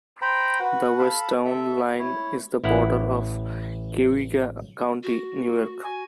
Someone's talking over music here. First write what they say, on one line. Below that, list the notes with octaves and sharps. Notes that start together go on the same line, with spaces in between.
The west town line is the border of Cayuga County, New York.
C5 G5 A#5 B5
F#4 B4 F#5
A4 F5 A5 B5
A4 E5
E4 C#5
A1 E4 F5 F#5
F#4
G#5